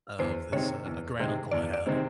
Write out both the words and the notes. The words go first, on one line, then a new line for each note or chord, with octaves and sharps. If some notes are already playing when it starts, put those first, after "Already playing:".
of this, uh a granduncle I had,
E2 C5
C3 D#3 G#3 C4 C#5
E2
C3 D#3 G#3 C4
E2 D5
D5
C3 D#3 G#3 C4